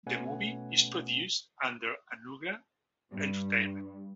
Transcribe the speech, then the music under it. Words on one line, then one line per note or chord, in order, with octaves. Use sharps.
The Movie is produced under Anugrah Entertainment.
B2 A3 C#4 B4 F#5 G#5
G2